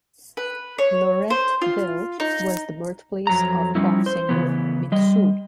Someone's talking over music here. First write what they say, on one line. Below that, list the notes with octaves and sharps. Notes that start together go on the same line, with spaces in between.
Loretteville was the birthplace of pop singer Mitsou.
B4
C#5
C5
F4
D#4
F2 F#3 A#5
F3 G3 C#4 D#4 E4
C5
C#3 E3 B3
G3 D#5